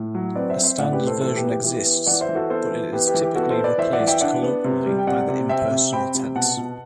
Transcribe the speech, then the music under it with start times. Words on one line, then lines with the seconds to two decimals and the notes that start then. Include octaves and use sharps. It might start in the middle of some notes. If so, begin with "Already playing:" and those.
A standard version exists, but it is typically replaced colloquially by the impersonal tense.
Already playing: A2
0.15 F#3
0.35 C4 B4 D5
0.50 C5 E5
0.57 C4
0.64 C5 E5
0.78 A2 D5 F#5
0.93 G4 B4
1.00 A2
1.07 A4 C5
1.21 E3 A4 C5
1.36 G4 B4
1.43 B3
1.50 G4
1.64 E3 G4
1.86 B3
2.06 E3 D5 F#5
2.21 C5 E5
2.29 E3
2.35 F#4 A4
2.50 B3 A4 C5
2.71 E3
2.93 B3 G4 B4
3.07 G4 B4
3.14 E3
3.21 G4
3.35 B3 F#4 A4
3.50 A4 C5
3.57 B3
3.64 B4 D5
3.78 E3 C5 E5
3.93 D5 F#5
4.00 E3
4.07 E5 G5
4.21 D4 D5 F#5
4.43 B3
4.64 C3
4.86 G3
4.99 G5
5.07 C3 D5 F#5
5.28 C3
5.49 C4 E5 G5
5.71 C3
5.93 C4 G5 B5
6.15 C3
6.36 B2 F#5 A5
6.57 B2